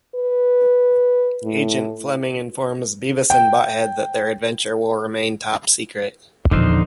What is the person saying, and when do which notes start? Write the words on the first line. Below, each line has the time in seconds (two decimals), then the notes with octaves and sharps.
Agent Flemming informs Beavis and Butt-Head that their adventure will remain top secret.
0.15 B4
1.43 A2
3.30 G5
6.51 E2 A#2 D3 F3 D#4 C5